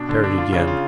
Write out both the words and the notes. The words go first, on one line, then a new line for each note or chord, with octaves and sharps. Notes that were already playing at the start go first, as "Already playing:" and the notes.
Parried again.
Already playing: B2 D4
D3
D4
F4
C#3
F4